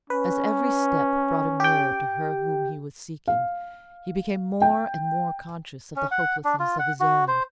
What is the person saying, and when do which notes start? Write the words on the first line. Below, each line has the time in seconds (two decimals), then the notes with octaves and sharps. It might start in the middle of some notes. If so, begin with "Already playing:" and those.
As every step brought him nearer to her whom he was seeking, he became more and more conscious of the hopelessness of his errand.
0.10 C#4 B4
1.60 G4 G5
3.28 F5
4.62 G5
5.96 C#4
6.11 F#5
6.44 D4
6.60 F4
6.79 F#5
7.00 F#4
7.28 C5